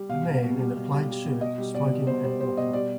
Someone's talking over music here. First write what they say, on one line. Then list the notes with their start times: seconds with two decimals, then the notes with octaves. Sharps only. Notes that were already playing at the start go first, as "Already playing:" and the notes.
A man in a plaid shirt smoking and walking.
Already playing: G3
0.09 B2 F5
0.25 B2
0.42 B2
0.59 G3
0.75 B2
0.92 G3
1.09 G3
1.24 B2
1.41 B2 D#5
1.58 G3
1.74 B2 D5
1.91 G3
2.07 B2 C5
2.24 G3 C5
2.40 G3 C5
2.57 B2 D#5
2.73 G3 D5